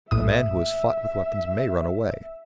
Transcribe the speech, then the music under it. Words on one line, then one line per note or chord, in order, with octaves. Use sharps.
A man who has fought with weapons may run away.
A#1 A2 E5 D#6